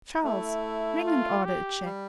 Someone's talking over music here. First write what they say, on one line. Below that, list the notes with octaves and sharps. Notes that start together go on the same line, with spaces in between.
Charles, ring and order a chair.
A3 E4
F4
G4
G3